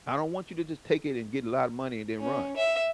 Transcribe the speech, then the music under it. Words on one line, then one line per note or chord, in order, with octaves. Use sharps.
"I don't want you to just take it and get a lot of money and then run.
C#4
E5